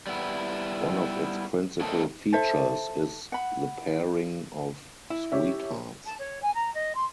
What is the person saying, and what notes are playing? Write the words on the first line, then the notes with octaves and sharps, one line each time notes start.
One of its principal features is the pairing of sweethearts.
G3 B3 E4
A3 A#3 C4 D4 D#4 A4
A4 C5 E5
F#5 B5
E4
G4 C#5 E5
A5
C#5
G#5
A#5
D#5
C6